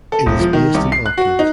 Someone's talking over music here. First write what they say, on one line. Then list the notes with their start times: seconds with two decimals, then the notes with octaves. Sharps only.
It is based in Auckland.
0.12 A4
0.26 E1
0.40 F3
0.53 D#3
0.74 C2
0.92 C7
1.06 F#6
1.18 F#4
1.39 D#4